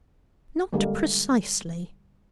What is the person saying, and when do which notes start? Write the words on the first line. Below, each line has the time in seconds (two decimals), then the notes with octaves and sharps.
Not precisely.
0.73 D3 G3 G#3 A#3